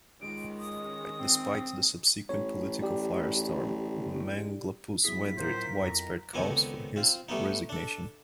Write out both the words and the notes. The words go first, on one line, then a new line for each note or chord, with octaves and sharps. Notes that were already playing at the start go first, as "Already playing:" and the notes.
Despite the subsequent political firestorm, Manglapus weathered widespread calls for his resignation.
C#2 D#3 G#3 C#4 D7
D#6
C4
A1 C#5
G4 D5
F#3 B3 E4 G#4 B6
A2 F4 A#4 C5
F2 A#5
C#2 D3 D#3 B3 C4 G#5
C4 F4
G3 A3 B3 D#4
D4 A4